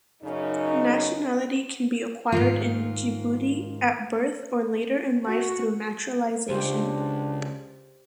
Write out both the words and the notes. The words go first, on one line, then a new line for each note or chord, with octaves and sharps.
Nationality can be acquired in Djibouti at birth or later in life through naturalization.
F#2 C#3 C#4 D#4
G#2 D#3 F4
F#4
C#2 D4 G4 C5